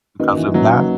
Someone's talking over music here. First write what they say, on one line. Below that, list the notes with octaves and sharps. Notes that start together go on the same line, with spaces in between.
because of that?
D#3 A#3 C#4 F#4 B4 D#5
E3
F#3 A#3 C#4 F#4 B4 D#5